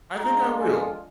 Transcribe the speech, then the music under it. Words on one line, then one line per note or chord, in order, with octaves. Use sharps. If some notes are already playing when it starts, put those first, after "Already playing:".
I think I will.
G#3 D4 F4 A#5
G#5